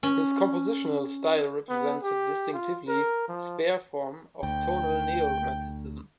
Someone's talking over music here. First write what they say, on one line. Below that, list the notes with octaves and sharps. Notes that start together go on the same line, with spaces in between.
His compositional style represents a distinctively spare form of tonal neo-Romanticism.
C#4
B3
G4
F4
A#4
F3
D2 G5